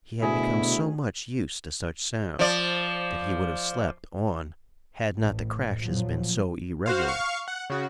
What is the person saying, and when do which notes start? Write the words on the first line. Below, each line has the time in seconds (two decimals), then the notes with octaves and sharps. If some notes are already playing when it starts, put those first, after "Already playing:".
He had become so much used to such sounds that he would have slept on had not the crashes been so irregular.
0.22 D2 B2 E4 G#4
2.39 F3 D5
5.18 A1 A2
5.82 A#2 F3 F#3
6.86 F#4 C5 F5
7.08 F5 C#6
7.48 F#5
7.70 C#3 F#4